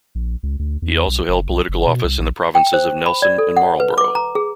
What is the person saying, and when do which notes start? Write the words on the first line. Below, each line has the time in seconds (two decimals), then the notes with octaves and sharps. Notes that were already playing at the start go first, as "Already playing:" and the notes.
He also held political office in the provinces of Nelson and Marlborough.
0.15 A#1
0.43 C#2
0.59 D2
0.82 E2
1.08 B1
1.28 F#1
1.49 B1
1.69 F#1
1.87 B2
2.04 C2
2.19 A#1
2.55 G5
2.74 C5
3.06 B5
3.22 D5
3.38 A4
3.57 F#5
3.80 B4
3.98 D6
4.15 A#5
4.35 G#4